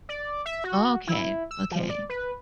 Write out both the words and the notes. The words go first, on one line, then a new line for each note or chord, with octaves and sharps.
Oh, okay. Okay.
D5
E5
F#4
E4
E6
F3
D5
B4